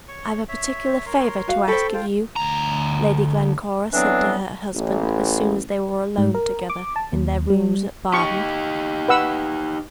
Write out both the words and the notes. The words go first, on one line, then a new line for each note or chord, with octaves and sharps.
"I've a particular favour to ask of you," Lady Glencora said to her husband, as soon as they were alone together in their rooms at Baden.
C#5 C#6
C#5 E5
A#4 C#5 C6
F#4 F5
A4 C5 G5 B5 C#6
F4 F5 G5
D2 A#5
D3 E3 F#3 B3 C4 D4
A1
G#2
A#4
D6
A5
D#2
G3
D#4 G4 C#6
B4 F#5 E6